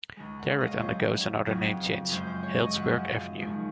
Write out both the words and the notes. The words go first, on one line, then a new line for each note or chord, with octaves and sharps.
There it undergoes another name change: Healdsburg Avenue.
C#2 C#3 G#3
F#5
F5
D#5
C#5
F2 C#3 F#3 C5
F2 C#3 F#3
F#2 F3 G#3 C5
C5
C#5
D#5
F#2 F3 G#3 F#5
D#5
D#2 C#3 F3 G#3